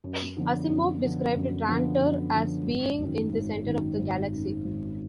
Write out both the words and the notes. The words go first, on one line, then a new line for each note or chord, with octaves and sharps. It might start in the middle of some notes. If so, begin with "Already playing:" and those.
Asimov described Trantor as being in the centre of the galaxy.
F#2
D3 F3 B3
F#2
D3 F3 B3
F#2
D3 F3 B3
F#2
D3 F3 B3
G#1
F#2 D#3
G#1
F#2 D#3
G#1
F#2 D#3
G#1